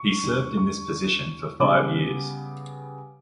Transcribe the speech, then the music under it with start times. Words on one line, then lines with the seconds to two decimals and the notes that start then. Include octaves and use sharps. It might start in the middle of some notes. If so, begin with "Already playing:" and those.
He served in this position for five years.
Already playing: C#6
0.23 E2 D3 G3 D4
0.57 C#6
1.60 C#3 G3 B3 D6